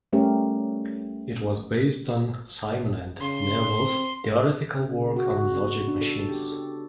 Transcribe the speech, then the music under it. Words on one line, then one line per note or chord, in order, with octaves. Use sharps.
It was based on Simon and Newell's theoretical work on logic machines.
G3 A3 C#4 G4 A#4
C#3 C6
C4
C#3
F#4
F#4
B3
D4
A4
G4
A4